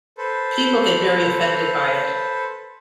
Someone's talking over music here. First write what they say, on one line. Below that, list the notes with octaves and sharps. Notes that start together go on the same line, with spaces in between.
People get very offended by it.
A4 B4 C5